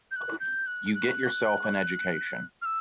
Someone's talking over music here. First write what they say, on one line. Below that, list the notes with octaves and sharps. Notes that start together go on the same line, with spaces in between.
You get yourself an education.
G6
F#6
G6
F#6
F#6
F6
E6